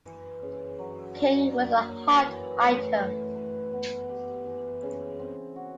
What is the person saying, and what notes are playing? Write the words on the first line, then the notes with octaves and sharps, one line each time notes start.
King was a hot item.
E3
C#3
F#3
D4
A#3
F#3
E3
A2
E4
B4
B3
G4
E3
C#3
C4
F#4